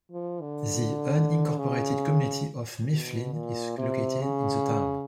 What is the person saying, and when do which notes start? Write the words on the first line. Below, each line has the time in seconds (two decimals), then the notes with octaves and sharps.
The unincorporated community of Mifflin is located in the town.
0.12 F3
0.41 D3
1.58 C#3
2.90 B2
3.33 A#2
3.78 C3
4.21 C#3